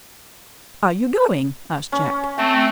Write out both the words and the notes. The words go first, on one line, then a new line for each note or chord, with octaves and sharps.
"Are you going?" asked Jack.
C#4
A3 C4 A5